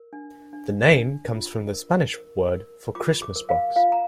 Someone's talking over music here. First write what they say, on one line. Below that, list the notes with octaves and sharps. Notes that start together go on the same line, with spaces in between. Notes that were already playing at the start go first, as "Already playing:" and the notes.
The name comes from the Spanish word for "Christmas box".
Already playing: A#4
D4
D4
D4
F4
A#4
A#4
A#4
F4 D6
D6
A#4
F5
F4 F5
A#5